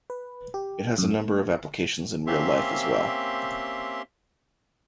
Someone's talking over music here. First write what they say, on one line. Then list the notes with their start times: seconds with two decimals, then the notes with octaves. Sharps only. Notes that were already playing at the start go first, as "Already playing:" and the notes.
It has a number of applications in real life as well.
0.10 B4
0.54 G4
0.98 F#2
1.11 A3
2.27 A#3 C4 C#4 G4 E5 C6